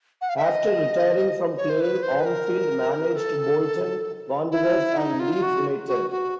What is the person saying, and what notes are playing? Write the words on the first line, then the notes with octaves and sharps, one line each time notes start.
After retiring from playing, Armfield managed Bolton Wanderers and Leeds United.
F#5
F5
E5
D#5
C#5
C5
B4
C5
B4
A#4
A4
E4
D#4
F4
F#4
F#4
F#4